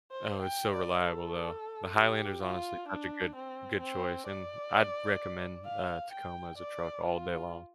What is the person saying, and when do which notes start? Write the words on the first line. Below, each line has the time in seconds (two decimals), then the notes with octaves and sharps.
Oh, it's so reliable, though. The Highlander's honestly such a good good choice, and I'd recommend, uh, Tacoma as a truck all day long
0.11 C5
0.42 G5
0.73 D5
1.03 A4
1.96 G4
2.43 F4
2.88 D4
3.35 C4
3.80 C4
4.27 D5
5.65 F5
6.12 G5
6.58 D5
7.05 F4